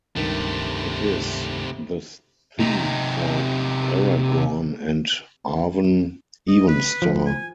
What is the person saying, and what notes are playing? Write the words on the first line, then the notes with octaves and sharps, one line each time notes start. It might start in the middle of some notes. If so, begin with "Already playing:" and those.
It is the theme for Aragorn and Arwen Evenstar.
C#2 G2 C3 D#3 A3
C3 D#4
D#5
B4
F3
G#5